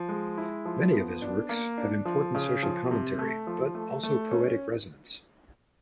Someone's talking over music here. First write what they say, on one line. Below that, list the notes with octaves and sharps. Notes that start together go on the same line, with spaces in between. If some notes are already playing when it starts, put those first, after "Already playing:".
Many of his works have important social commentary but also poetic resonance.
Already playing: F3
G#3
E4
F3
B3
D4
A#3
D4
F3
C#3
F3
C3
A3
F3
A3
A3
C#4